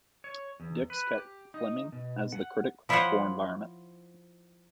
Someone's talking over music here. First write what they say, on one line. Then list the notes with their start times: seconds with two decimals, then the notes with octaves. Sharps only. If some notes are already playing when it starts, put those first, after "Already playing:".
Dix kept Fleming as the critic for Environment.
0.24 C#5
0.60 E2
0.90 B4
1.15 G4
1.54 D#4
1.92 B2
2.32 F#5
2.89 F3 E4 F4 C5 C#5 F#5